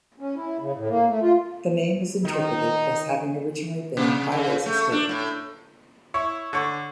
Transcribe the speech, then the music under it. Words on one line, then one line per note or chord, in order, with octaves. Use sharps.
The name is interpreted as having originally been "Bilo's Estate".
C#4
E4
C#3
A2
A#3
A3
F4
D#3 D#4
C3
C#3
A3
D4
A2
E4 C#5
D3 C#5